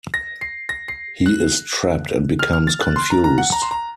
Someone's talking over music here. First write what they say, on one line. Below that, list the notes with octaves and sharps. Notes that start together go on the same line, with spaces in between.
He is trapped and becomes confused.
A#6
C7
A#6
C7
F#6
F6
F6
A6
F#6
C6
A#5
A#5
F#5
A#5
C6
A#5